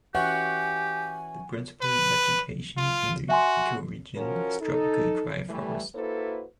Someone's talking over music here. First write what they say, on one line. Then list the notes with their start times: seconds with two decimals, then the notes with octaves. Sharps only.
The principal vegetation in the ecoregion is tropical dry forest.
0.15 E3 C#4 F#4 G4 F#5 G#5
1.82 B4
2.77 F4
3.29 F#4 E5 G#5 C6
4.16 F3 C#4 F#4 A#4
4.61 D#4 A4
5.48 E3 G3 A3
5.94 A#3 E4 F#4 A4 B4 C5